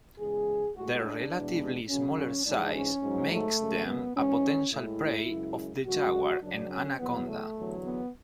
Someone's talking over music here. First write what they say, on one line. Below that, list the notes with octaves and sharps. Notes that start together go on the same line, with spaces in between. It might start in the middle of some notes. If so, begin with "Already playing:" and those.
Their relatively smaller size makes them a potential prey of the jaguar and anaconda.
E2 C#3 G#3 G#4
A2 G#3 F#4
D4
E2 B2 G#3
F#2 C#3 F#3 C#4
G#2 E3 G#3 D4
C#4
G#2 F#3
A3
F#2 C#3 G#3
B3
G#2 E3 G#3 C#4
A2 G#3 E4
F#2 C#3 G#3
F#2 C#3 G#3 F#4
F#2 C#3 F#3 D4
C#4
E2 B2 F#3 B3
A3
E2 D3 F#3
B3